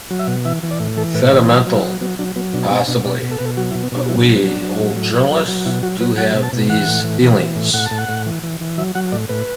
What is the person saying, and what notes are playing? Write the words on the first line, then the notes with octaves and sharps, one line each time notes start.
Sentimental, possibly, but we old journalists do have these feelings.
F#3
E5
B2
E3 E5
E3
D5
A2
E3 A4
A2 B4
E3 D5
F#3 B4
F#3
E4
F#3
F#3 B3
F#3 D4
F#3 B3
B2 D4
B2 B3
B2 D4
B2 D5
B2
A4
B2 B4
A4
F#3 F#4
E4
B2
B3
B2 D4
F#3 E4
D4
F#3
B3
F#3 D4
F#3
A2
F#3
F#3
F#3
F#3
B2 E4
F#3 F#4
F#3 B4
F#3 F#5
B2
A5
B2
E3 F#5
A2
E3
E3
E3
A2
A2 F#5
A5
A2
F#5
A2
E3
E3
E3
F#3 E5
F#3 F#5
A2 D5
A2 B4